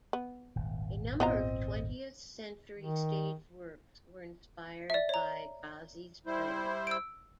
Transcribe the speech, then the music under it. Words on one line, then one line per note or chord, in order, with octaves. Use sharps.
A number of twentieth-century stage works were inspired by Gozzi's plays.
B3
D#1 G#1
B3 C4 F4 D#5 A#5
D#3
D5 E5
C#5 A#5
G3 E4 C5
E6 D7